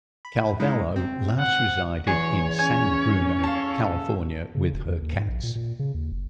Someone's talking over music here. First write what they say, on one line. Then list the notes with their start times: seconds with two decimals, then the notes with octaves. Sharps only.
Calvello last resided in San Bruno, California with her cats.
0.25 B5
0.60 G#3 D#4 E4
0.96 C4
1.41 F#5
2.07 E2 G#4 C#5
2.59 C#4 G#5
3.44 A4 F5
4.55 C#3
4.74 E1
4.85 E2
5.02 D#2
5.16 G#2
5.29 A#1
5.43 A#2
5.55 A#2
5.79 C#3
5.94 D#2
6.12 F#1